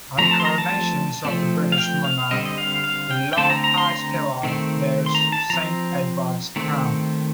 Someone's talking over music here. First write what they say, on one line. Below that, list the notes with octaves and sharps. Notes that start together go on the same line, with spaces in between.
At coronations of the British monarch, the Lord High Steward bears Saint Edward's Crown.
F3 A3 C4 A#5
A5
C6
A#5
A5
F3 A3 C4
F5
G5
F5
D3 G3 C4 D#5
D#5
F5
F5
G5
G5
D3 A3 C4 A5
A#5
A#5
C6
A#5
D#3 A3 C4
C6
A#5
A5
F3 C4 A#5
D#3 A3 C4